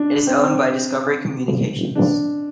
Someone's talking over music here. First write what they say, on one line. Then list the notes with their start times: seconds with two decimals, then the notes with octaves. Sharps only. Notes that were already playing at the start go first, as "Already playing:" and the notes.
It is owned by Discovery Communications.
Already playing: D4
0.27 C4
1.95 D4